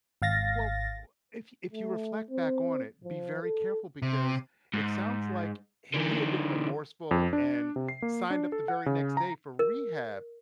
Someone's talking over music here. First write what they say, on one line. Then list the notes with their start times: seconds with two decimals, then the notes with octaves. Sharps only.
Well, w if if you reflect back on it, be very careful because it sounds like if he had been remorseful and signed up the very next day for rehab,
0.22 G#1 F5 A6 A#6
1.73 A3
2.30 C4
3.04 F3
3.42 A4
4.02 C3
4.74 G#2
5.94 D3 E3
7.11 F2
7.33 D4
7.76 C3
7.88 C7
8.02 A#3
8.30 D4
8.52 A4
8.68 F#5
8.86 C#3
9.17 A#5
9.59 A#4